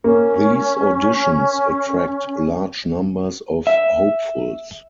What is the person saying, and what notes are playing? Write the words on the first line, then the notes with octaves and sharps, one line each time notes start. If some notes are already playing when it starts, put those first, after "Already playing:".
These auditions attract large numbers of hopefuls.
A#3 C#4
E5